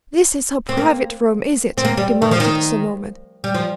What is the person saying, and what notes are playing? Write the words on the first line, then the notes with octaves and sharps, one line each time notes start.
"This is her private room, is it!" demanded Sir Norman.
C4
A#3
C4
A#3
G3
D#3
F3
D#3
G3
F3